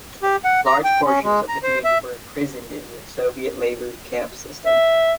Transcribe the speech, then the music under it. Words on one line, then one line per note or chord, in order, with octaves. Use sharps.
Large portions of the community were imprisoned in the Soviet labor camp system.
G4
F#5
A#5
G5
C#4
G#3
A#5
C5
E5
E5